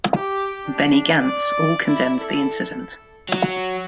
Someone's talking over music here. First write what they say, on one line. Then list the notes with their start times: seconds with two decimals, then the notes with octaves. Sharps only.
Benny Gantz all condemned the incident.
0.16 G4
0.66 D4
1.19 D5
1.87 E4
2.19 A4
3.29 F#3